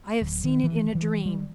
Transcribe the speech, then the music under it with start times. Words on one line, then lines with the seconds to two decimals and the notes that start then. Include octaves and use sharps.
I have seen it in a dream.
0.21 D1
0.44 D#3
0.64 E3
0.95 E3
1.26 G3